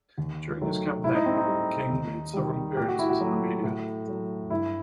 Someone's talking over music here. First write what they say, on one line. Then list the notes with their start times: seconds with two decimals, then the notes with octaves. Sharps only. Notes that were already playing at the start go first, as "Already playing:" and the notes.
During his campaign, King made several appearances in the media.
0.18 D#2
0.61 D#3 F#3 A3
1.04 A2 E4
1.15 D#4
1.26 C4
1.37 D#4
1.47 G3
1.91 D#2
2.33 D#3 G3
2.77 A2 G4
2.88 F#4
2.99 E4
3.09 F#4
3.21 F#3 A3
3.64 A2
4.08 F#3 A3
4.50 G2 E4